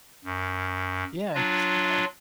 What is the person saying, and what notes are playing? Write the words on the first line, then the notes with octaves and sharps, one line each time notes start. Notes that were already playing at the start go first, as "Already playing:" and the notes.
Yeah, I guess so.
F#2
F#3 D4 F4